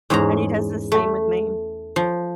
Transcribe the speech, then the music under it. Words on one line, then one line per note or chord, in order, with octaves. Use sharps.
and he does the same with me.
E2 G#2 G#3 C#4 A#5
A3
F3